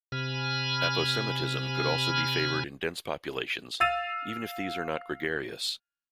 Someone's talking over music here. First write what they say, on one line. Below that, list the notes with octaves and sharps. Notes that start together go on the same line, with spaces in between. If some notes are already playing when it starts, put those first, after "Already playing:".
Aposematism could also be favoured in dense populations even if these are not gregarious.
C3 G#5 B5 F6
F5 E6 A6 D#7 F7